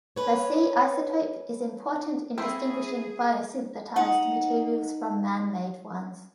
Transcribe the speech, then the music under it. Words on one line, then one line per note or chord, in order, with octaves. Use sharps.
The C isotope is important in distinguishing biosynthetized materials from man-made ones.
C#4 B4 C#5
A3 C4 E4 G#4
D#4 F#5